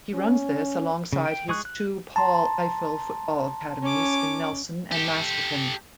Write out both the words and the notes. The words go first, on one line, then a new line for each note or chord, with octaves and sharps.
He runs this alongside his two Paul Ifill Football Academies in Nelson and Masterton.
C#4
C#3
G5
G#3 G#4 C#6 F#6
F#6
A5 A#5 C6
C#4 D6
G4 A4